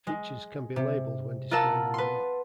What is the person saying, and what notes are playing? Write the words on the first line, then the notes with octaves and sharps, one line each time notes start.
Features can be labeled when displayed on a map.
G#3
C3
F4 A#4 F#5 A5 E6
B4 C6